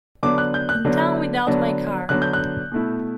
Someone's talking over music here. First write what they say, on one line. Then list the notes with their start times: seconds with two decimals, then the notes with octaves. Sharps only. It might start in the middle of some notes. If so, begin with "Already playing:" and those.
In town without my car!
0.23 D3 F#3 B3 D4 D6
0.38 F#6
0.54 G6
0.69 F#6
0.85 D3 F#3 B3 D4
1.47 D3 F#3 B3 D4
2.09 D3 F#3 B3 D4 F#6
2.22 G6
2.33 F#6
2.72 B2 A3 E4